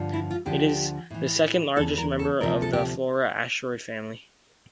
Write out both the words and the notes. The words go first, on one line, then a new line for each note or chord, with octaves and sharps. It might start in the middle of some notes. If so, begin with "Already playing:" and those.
It is the second-largest member of the Flora asteroid family.
Already playing: G2 D3 F3
E4
F4
D2 D3 F3 G4
A2 E3
E2 E3 A4
A#4
A4
D2 C3 F3 A#4
A4
G4